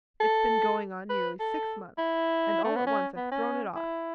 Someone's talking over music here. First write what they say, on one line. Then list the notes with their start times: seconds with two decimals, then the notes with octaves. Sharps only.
It's been going on nearly six months, and all at once I've thrown it off.
0.20 A4
1.10 B4
1.40 A4
1.98 E4
2.64 A3
2.76 B3
2.87 C#4
3.16 B3
3.31 C#4
3.76 E4